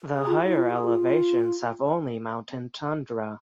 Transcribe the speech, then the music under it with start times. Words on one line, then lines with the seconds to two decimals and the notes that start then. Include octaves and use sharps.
The higher elevations have only mountain tundra.
0.13 G#4
0.27 F4
0.42 E4
0.56 F4
0.70 G#4
0.85 F4